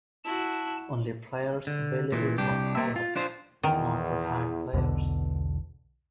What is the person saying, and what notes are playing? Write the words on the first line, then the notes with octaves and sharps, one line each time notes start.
Only players available for call-up, not retired players.
E4 F#4 A5
D3
A#2 E3
C2 D4 G4
A#3 E5
F4
D4 F4 C5
E2 D#3
B1 E2 B2 D3